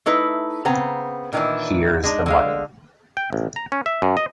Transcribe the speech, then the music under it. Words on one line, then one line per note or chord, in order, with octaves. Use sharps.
Here's the money.
A3 D#4 E4 B4
C#3 B3 C4 A#5
A#2 D#3 E3 D4 E4
G#3 D4 D#4
D3 G#3 F5
G5
A1
A#5
C#4
E5
F#2
D#5